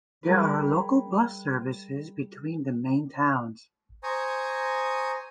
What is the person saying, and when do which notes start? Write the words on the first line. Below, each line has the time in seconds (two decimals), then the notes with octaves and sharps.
There are local bus services between the main towns.
0.23 G3 G#4 A#4 B4
4.03 C5 G#5 A#5 C#6 D#6